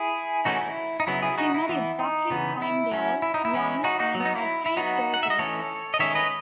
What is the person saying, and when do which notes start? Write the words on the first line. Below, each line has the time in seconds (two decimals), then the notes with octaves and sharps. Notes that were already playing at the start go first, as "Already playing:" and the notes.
She married Geoffrey Tyndale Young, and had three daughters.
Already playing: E4 G#4
0.45 E3 A3 C#4 D#4 F#4
0.61 E4
1.00 D#4
1.07 C#3 F#3 B3 E4
1.22 E4 G#4
1.38 D#4 F#4
1.54 E4
1.69 E3 B3
1.99 D#4
2.30 C#3 E3 B3
2.62 E4
2.92 F#3 C#4
3.22 E4
3.34 D#4
3.45 E4
3.54 E3 G#3 C#4
3.84 D#4 F#4
3.99 D#4 F#4
4.15 F#3
4.20 B3
4.25 D#4
4.36 E4
4.66 E4
4.77 F#3 B3 D#4 F#4
5.14 F#5
5.23 E5
5.30 D#5
5.39 E3 A3 C#4 A4 C#5
5.94 D#5
5.99 D#3 G#3 C#4 C#5 E5
6.15 B4 D#5